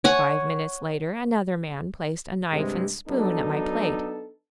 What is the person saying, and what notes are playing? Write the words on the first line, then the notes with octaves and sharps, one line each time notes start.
Five minutes later another man placed a knife and spoon at my plate.
C#5 F#5 G#5
G2 C3 G#3
F#3 B3 D4 D#4 A4